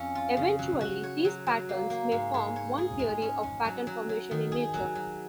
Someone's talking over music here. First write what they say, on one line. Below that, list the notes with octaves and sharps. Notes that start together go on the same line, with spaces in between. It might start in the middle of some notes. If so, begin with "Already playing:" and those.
Eventually, these patterns may form one theory of pattern formation in nature.
Already playing: F2 C#4
F4
C#3
F#3
F#4
C#5
F#3
F#3
A#3
A#3
G#2
G#2
C#5
G#4
G#3
C#4
C#4
F#3
F#3
F#3
D#3
G#4
F#3
F#3